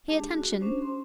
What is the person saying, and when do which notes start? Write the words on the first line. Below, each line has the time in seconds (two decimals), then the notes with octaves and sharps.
Pay attention!
0.08 G#3 D4 G4 G#4 A5
0.32 F#4
0.61 C#4 D4 C5
0.82 C6